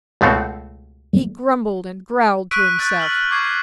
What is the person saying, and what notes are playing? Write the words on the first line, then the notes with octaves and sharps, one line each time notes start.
He grumbled and growled to himself.
C#2 B2 A3 C4 F#4
C#6 E6 F#6 B6 D7 D#7
E6 F#6 G6 A6
E6 F6 F#7
C#6 D6 G#6 C7